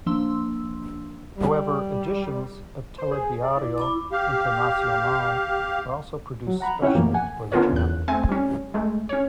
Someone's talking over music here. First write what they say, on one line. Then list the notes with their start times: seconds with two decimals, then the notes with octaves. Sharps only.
However, editions of "Telediario Internacional" are also produced specially for the channel.
0.06 F3 A#3 D4 C6 E6
1.35 G3
2.98 C5
3.11 G#4
3.43 D5
3.56 E4
3.78 E4 B5 D6
4.11 G4 F5
6.47 F#3
6.60 F#5 A#5 B5
6.82 C#4 E4 C#5 F#5 G5
6.94 F#2 B2 E3 F3 A3 A#3
7.14 F#5 G#5
7.52 D3 B3 C#4 F4 A#4 C#5
7.72 E2 F#6
8.08 A3 C4 G#5
8.29 G3 C#4
8.74 G#3 A3
9.09 C#4 C#5